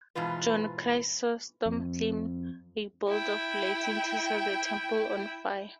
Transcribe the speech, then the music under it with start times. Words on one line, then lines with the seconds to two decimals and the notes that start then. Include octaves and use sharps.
John Chrysostom claimed a bolt of lightning set the temple on fire.
0.15 G#2 B2 E3 F4 B4
1.66 F2
3.08 E4 G5